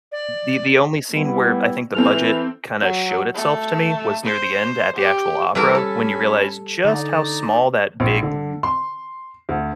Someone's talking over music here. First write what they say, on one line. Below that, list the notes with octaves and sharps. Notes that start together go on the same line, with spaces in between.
The the only scene where I think the budget kinda showed itself to me, was near the end at the actual opera, when you realize just how small that big m
D5
G3 B3 E4
E3 C4 A4 F6 F7
F#3
A3
C5
G4
E3 G3 F#4 A4 A#4
C#4 A4 G#5 B5
D3 D#4 D5 A#5
A#1
D3
C6
D2